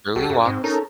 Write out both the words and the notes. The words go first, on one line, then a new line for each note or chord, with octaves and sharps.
Early walks.
C2 F#4 G4 A4
F#2
G#2 C4
C#4 D#4 A4 A#4